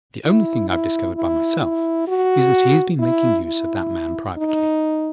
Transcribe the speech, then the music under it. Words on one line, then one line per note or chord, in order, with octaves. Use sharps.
The only thing I've discovered by myself is that he has been making use of that man privately.
E4
E4
E4
E4
F#4
E4
E4
D#4